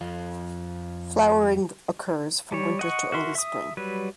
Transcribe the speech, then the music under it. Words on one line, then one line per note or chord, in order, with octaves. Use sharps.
Flowering occurs from winter to early spring.
F2 F4
G3 C#5
D#5 F#5 C#6
F#4 A#4 E5 C6
E5 D#6
F#3 G3 B4